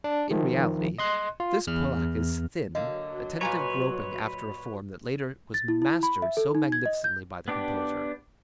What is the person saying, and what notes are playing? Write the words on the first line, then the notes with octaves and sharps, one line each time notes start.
In reality this polacca is thin, a tentative groping after a form that later was mastered so magnificently by the composer.
D4
D#3 F3
D#5 C6 F#6
F4
E2 F6
D3 F#3 A#3 D#5
A#2 B4 C#5 G#5 A#5
A6
E4
E4
B5
E5
A4
D#4
G#6
D#5
G6
B3 D4 G4